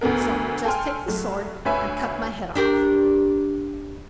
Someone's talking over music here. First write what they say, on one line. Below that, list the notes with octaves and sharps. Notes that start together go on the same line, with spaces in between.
So just take the sword, and cut my head off.'
D2 A3 B3 A#4
A4 G5 G#5 C6 F6
F#3 A3
D2 B4 C#5 E5 G#5 B5
D4 G4 A#4